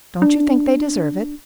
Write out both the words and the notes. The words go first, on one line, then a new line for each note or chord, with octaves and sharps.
Don't you think they deserve it?
D4